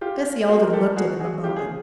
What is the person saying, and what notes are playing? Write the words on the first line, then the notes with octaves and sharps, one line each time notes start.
Bessie Alden looked at him a moment.
F4 G4
F#4 G#4
A#4
G4 A4
F#4 G#4
F#4 G#4
F4 G4
G#4